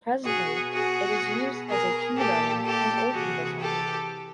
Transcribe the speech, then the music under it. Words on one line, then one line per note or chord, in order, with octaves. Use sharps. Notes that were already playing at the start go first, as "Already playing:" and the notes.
Presently it is used as a kindergarten and old people's home.
B2 F#4 G#4
F#4 G#4
B2
G#4 A#4
A#2 G4 A4
G4 A4
C3 E3 F#4 G#4
G4 A4